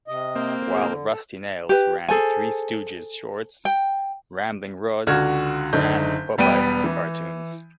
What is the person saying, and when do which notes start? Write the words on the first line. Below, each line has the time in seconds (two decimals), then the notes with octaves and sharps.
While Rusty Nails ran Three Stooges shorts, Ramblin' Rod ran Popeye cartoons.
0.08 C3 D#5
0.36 A#3 C4
0.72 A2 C#3 G#4
0.88 D3
1.07 A4
1.69 G4 B4
2.08 G#4 A4 C5 G#5
3.65 G5
5.07 C#2 D3 F#4 F6 G#6
5.73 F#1 D3 D#4 G6
6.38 E1 G3 B3 G5 D#7
6.84 E3